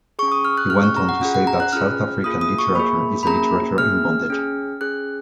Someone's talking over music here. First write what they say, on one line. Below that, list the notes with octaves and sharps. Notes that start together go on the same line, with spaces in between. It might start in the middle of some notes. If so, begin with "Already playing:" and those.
He went on to say that South African literature is a literature in bondage.
C#4 G#4 C#6
D#6
F6
F#6
C#4 G#4 F6
C#6
A#5
F#5
C#4 F4 G#4 F#5
F#5
A#5
F#6
C#4 F4 G#4 F6
A#3 F4 G#4 D#6
D#6
C#6
A#3 F4 G#4 B5
B5
A#3 C#4 G#4 A#5
A#3 C#4 G#4 F6
C#4 G#4
C#4 G#4 F#6